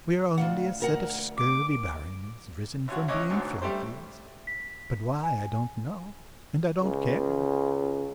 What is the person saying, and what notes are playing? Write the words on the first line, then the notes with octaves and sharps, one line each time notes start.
We are only a set of scurvy barons, risen from being flunkeys, but why I don't know and I don't care.
D2 F4 F#5
D2 A#4 F#5
D6
D7
G#1 C#4 F#4
C#2 C#4 C#5 D#5 E5 D6
D2 G#2 B2 D3
G3 A3 G4 C5
B6
G#5
C#2